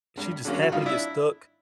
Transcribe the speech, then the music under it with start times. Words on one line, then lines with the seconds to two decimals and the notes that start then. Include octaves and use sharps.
She just happened to get stuck
0.17 G2
0.45 D3 F#3 A#3 C#4
0.62 F#4
0.72 G2 D#4 F4
0.86 D4 E4